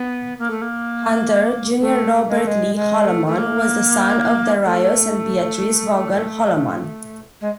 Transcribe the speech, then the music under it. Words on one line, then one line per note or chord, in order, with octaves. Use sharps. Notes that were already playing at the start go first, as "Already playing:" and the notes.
Hunter, Jr.. Robert Lee Holloman was the son of Daraious and Beatrice Vaughan Holloman.
Already playing: B3
A#3
A3
A#3
A3
G#3
A3
G#3
G#3
A3
A3
A#3
A3
G#3